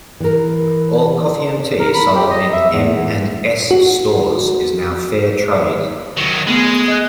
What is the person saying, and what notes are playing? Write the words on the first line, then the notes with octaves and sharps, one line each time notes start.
All coffee and tea sold in M and S stores is now Fairtrade.
E3 A#4
A#4
B5
G4
D#5
E5
E2
F#4
D#3 F#3
G#3 A3 B3
D#5 F#6